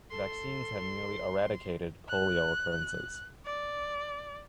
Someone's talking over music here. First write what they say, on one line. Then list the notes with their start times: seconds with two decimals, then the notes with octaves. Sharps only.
Vaccines have nearly eradicated Polio occurrences.
0.11 A4 C6
2.08 F#6
3.45 D5